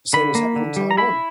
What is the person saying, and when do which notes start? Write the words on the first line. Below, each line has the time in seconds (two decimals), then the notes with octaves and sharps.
The same was happening in Taiwan.
0.13 D3 B5
0.35 A#3
0.56 D3
0.76 G3
0.91 A#5
0.97 E4 B5